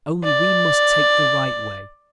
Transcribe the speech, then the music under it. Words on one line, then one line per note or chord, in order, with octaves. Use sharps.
Only we must take the right way.
D5